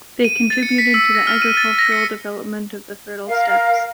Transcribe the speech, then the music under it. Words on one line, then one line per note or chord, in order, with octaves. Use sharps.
They contributed to the agricultural development of the fertile steppes.
D#7
A6
C#7
B6
E6
A#6
F6
D#7
A6
A#6
C#7
A#4 F5